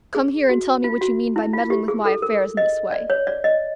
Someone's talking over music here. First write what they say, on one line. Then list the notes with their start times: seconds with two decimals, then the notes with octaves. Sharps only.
"Come here and tell me what you mean by meddling with my affairs in this way."
0.15 G#4
0.49 F#4
0.84 F4
1.01 F#4
1.36 E4
1.53 F4
1.70 G4
1.88 G#4
2.05 A4
2.22 A#4
2.57 D#5
2.92 D5
3.10 C#5
3.27 D5
3.44 D#5